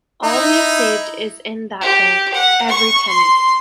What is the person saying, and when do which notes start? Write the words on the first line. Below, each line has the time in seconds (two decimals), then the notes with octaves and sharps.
All we have saved is in that bank — every penny.
0.23 D#4 E4
1.81 G4
2.34 F#5
2.69 C#6
3.08 C6